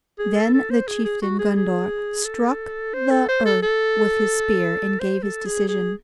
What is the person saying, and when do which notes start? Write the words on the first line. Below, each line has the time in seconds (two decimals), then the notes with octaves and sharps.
Then the chieftain Gundhar struck the earth with his spear and gave his decision.
0.19 G#4
0.36 A4
0.54 A4
0.71 C5
0.88 G#4
1.05 G#4
1.22 F#4
1.39 G#4
1.57 G#4
2.25 A4
2.94 C5
3.11 A4
3.29 C5
3.46 A4
3.63 A4
5.00 C5
5.23 A4
5.46 G#4
5.69 G#4